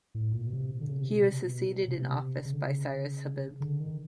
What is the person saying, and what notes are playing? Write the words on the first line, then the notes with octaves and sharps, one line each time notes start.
He was succeeded in office by Cyrus Habib.
A2
A#2
B2
C3
D3
C#3
C3
B2
C3
B2
C3
C#3
D3
C#3
D3
D#3